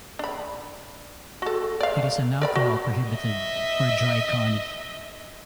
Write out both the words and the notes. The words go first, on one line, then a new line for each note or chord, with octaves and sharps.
It is an alcohol-prohibited or dry county.
D4 B5
F#4 A4
D5 F5
A#4 D5 B5
F#4
D#5 E5